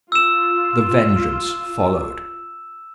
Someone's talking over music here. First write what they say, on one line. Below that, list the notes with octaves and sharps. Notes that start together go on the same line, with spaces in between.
The Vengeance followed.
F4 E6 E7